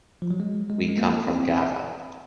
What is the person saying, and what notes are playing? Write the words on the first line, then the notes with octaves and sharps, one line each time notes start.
We come from Gavà.
F3
F#3
G#3
G#3
G#3
A#3
C4